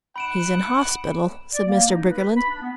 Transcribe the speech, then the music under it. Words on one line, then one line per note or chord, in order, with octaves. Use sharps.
"He's in hospital," said Mr. Briggerland.
D#4 F#5 B5 D7 E7
D5
A#3
D#4
B4
B5
D4
B3